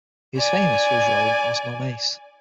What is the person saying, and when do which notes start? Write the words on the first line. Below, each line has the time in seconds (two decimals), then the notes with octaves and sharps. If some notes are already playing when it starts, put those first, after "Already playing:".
He is famous for his role in Os Normais.
0.37 D5 G#5